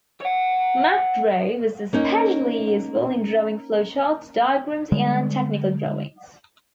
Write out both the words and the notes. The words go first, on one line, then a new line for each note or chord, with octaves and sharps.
MacDraw was especially useful in drawing flowcharts, diagrams and technical drawings.
C#5 F#5
A#3 C#4 D#4
D3 G3 G#3